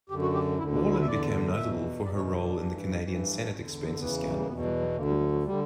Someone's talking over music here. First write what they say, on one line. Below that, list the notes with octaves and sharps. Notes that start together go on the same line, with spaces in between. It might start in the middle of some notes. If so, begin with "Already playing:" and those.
Wallin became notable for her role in the Canadian Senate expenses scandal.
F#2 D3 G4
F#4
G4
D2 D3 E4
D4
E4
E5
E2 D3 D5
E2 B2 E5
E2 B2 D5
C#5
D4
D4
G2 E3
G2 E3
D4
E2 D3 C#4
B3
E2 C#3 E3 B3
F#3
G3
A#3
E2 B2 B3
G3
F#3
D2 D3 A#3
G3
F#3
F#3
D3 G3